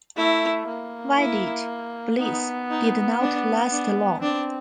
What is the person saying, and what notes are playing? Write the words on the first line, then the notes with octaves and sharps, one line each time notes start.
Wedded bliss did not last long.
A3 E4
A#3
E4
B3 D#4
D#4
D4
D4
C4 D4